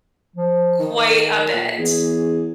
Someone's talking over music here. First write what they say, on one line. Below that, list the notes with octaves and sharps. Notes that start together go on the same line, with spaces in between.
quite a bit,
F3
D#3
A#4
A#2
E2 G#4